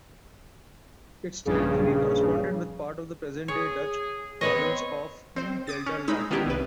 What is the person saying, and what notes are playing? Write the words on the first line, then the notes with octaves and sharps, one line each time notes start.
Its territory corresponded with part of the present-day Dutch province of Gelderland.
A#1 G2 C#3
G#4 C#5
B3 C4 B4 C#5 D#5 C6
C4 C5
D6 D#6 A6
C#4
G#3 D#4 B5 E6
D#3 B3 C#4 D4 E4 G4
C2 B4